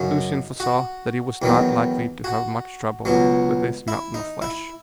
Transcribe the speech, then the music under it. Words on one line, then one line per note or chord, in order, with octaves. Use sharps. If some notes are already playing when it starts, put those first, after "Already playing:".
Lucian foresaw that he was not likely to have much trouble with this mountain of flesh.
Already playing: F#2 C#3 F#3 D#4
F#4
E2 D#3 F#3
F#4
C#2 B2 F#3
E4
D#4
E4